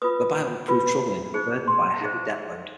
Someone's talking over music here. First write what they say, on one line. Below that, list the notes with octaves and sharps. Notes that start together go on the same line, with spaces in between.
The buyout would prove troubling, burdened by a heavy debt load.
F4 B4 D#6
F4 B4
D#4 G#4 C5
C6
D#4 G#4 C5